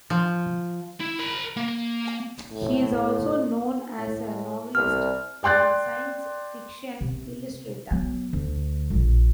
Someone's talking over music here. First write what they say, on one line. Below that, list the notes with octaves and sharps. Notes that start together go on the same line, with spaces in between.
He is also known as a novelist and science fiction illustrator.
F3
E4
A#4 B5
A#3
A2
A2
C2 F6
D5 G5 C6 F#6 A6
C3
F#3 B3
D2
A#1 F2